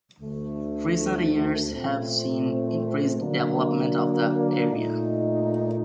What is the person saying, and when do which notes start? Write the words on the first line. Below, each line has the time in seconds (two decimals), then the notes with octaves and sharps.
Recent years have seen increased development of the area.
0.19 D2 D3 A3
1.69 A#2 A3 C4
3.19 D3 F#3 A#3 D4
4.69 A#2 A3 D#4